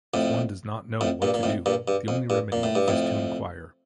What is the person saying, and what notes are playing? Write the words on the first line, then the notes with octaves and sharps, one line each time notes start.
If one does not know what to do, the only remedy is to inquire.
F2 A2
F2 A2
G2 A#2
A#2
F2 A2
G2 A#2
G2
F2
G2
A#2
A2
G2
F2 A2